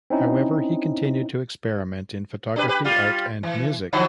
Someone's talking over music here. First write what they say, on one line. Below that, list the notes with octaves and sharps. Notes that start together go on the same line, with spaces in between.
However, he continued to experiment in photography, art, and music.
C4 C#4 D#4 E4
D4 G4 B4
G4 B4
G3 F4 G4
E3
D3 F3 F#3